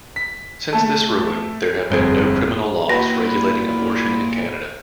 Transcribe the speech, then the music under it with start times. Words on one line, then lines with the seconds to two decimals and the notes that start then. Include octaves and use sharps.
Since this ruling, there have been no criminal laws regulating abortion in Canada.
0.16 B6
0.73 A3 A4
1.90 G1 F2 G#4
2.89 A#2 E4 F#4 B4 G5 A#6